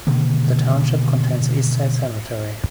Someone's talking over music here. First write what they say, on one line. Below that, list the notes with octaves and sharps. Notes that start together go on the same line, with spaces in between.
The township contains East Side Cemetery.
B2 D3 D#3 A#3